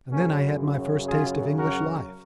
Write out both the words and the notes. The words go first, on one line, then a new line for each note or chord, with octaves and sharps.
And then I had my first taste of English life.
F#2 C#3 F#3 A#3 C#4
F4 G#4
F#4 A#4